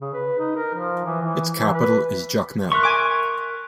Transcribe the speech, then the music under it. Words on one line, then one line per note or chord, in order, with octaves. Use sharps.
Its capital is Jacmel.
C#3
B4
D#4
A#4
F3
E3
E3
E3
B4
A#4 E5 C6 C#6 F#6
G#5 D6